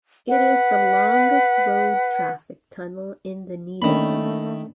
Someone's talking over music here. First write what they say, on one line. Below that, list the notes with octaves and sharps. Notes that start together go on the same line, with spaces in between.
It is the longest road traffic tunnel in the Netherlands.
B4 F#5
D#3 A3 A#3 C#4 D4 B5